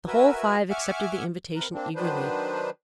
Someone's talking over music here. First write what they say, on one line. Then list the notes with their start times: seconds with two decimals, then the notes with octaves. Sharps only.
The whole five accepted the invitation eagerly.
0.07 F#4 A#4 B4 E5 G#5
0.70 E5 F#5 G#5 C#6 D6 F6
1.55 C3 A#4 B4
1.74 A#3 C4 D4
1.95 D#3 F#3 B3 D4 B4 C5